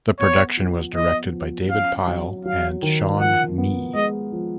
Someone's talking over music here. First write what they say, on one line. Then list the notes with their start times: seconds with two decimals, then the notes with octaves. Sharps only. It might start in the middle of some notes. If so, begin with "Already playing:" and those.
The production was directed by David Pyle and Sean Mee.
0.20 B3 C#5
0.57 F3
0.95 B3 D#5
1.32 F3
1.70 C#4 F5
2.08 F#3
2.45 F#3 F5
2.83 D#3
3.20 F3 F#5
3.58 B3
3.95 G#3 D#5
4.32 F3